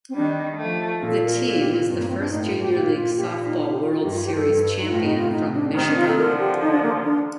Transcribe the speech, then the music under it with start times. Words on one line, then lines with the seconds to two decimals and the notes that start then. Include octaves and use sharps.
The team is the first Junior League Softball World Series champion from Michigan.
0.09 C4
0.15 D#3 G3 D4
0.58 F3 A3
1.01 A#2 A4
1.23 A#4
1.44 A#2 A4
1.59 G4
1.87 G2 C4
1.98 A#3
2.09 C4
2.19 D4
2.30 A2 D#4
2.44 F4
2.60 G4
2.74 A#2 G4
2.95 F4
3.17 A#2 G4
3.46 D#4
3.60 D#4
3.71 G4
3.81 F4
3.92 F4
4.02 G2 G4
4.13 F4
4.24 G4
4.35 A4
4.46 G2
4.81 D#4
4.89 A2 F4
5.03 D#4
5.18 F4
5.32 A2 D#4
5.54 D4
5.69 D4
5.74 C3 D#3 C4
5.86 D4
5.96 F4
6.08 A4
6.18 D3 F3 A#4
6.39 G4
6.61 D#4
6.72 D4
6.83 A#3
7.04 D4